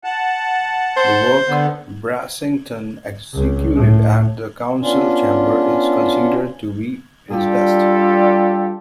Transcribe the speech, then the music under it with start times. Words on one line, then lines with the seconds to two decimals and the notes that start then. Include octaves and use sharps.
The work Brassington executed at the council chamber is considered to be his best.
0.04 F#5 A5
0.97 C5
1.48 D3 B3
3.33 C#2
3.75 A2
4.81 B3 C#4 D4 F4
7.30 G3 D4 F4 G4 A4